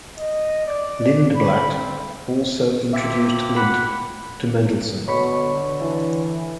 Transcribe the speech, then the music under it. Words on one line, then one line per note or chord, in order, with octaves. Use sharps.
Lindblad also introduced Lind to Mendelssohn.
D#5
D5
D5
B5
C4
A#3 C4 G4 E5
F#5 B5
B2 D3 C#5 B5 C#6
E3